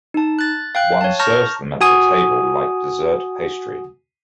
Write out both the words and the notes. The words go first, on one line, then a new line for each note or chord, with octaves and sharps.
One serves them at the table like dessert pastry.
D#4 A5
F#6 A6
F5 G5 F#6
C#5 A5
A5 A#5 C#6 F6 G6 A#6
F#4 G#5 D#6